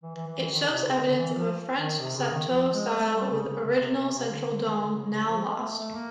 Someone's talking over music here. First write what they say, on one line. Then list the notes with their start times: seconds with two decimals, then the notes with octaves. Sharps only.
It shows evidence of a French chateau style, with original central dome, now lost.
0.03 E3
0.15 E3
0.27 E3
0.39 E3
0.51 D#3
0.69 C3
0.85 C#3
1.02 D3
1.17 E3
1.35 F3
1.75 D#3
2.00 C3
2.16 C#3
2.33 D#3
2.49 F3
2.73 G#3
2.98 A3
3.15 G3
3.30 C#3
3.48 C#3
3.65 C#3
3.80 C3
3.96 C3
4.14 C3
4.29 D3
4.47 D3
4.62 D#3
4.79 D3
4.95 C#3
5.11 C#3
5.28 F3
5.45 G#3
5.60 A3
5.77 A3
5.94 A#3